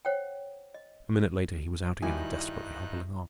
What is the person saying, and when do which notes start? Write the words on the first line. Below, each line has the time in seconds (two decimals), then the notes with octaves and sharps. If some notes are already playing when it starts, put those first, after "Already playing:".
A minute later he was out again and desperately hobbling on.
0.05 C5 C#5 F#5 G5
0.74 D#5
2.02 G2 D#3 G3 D#4 E4 F#4 G#5 F#6